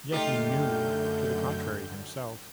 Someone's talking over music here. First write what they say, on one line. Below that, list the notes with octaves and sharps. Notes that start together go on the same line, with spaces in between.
Yet he knew to the contrary himself.
F#2 D3 A3 D#4 F4 G4 G6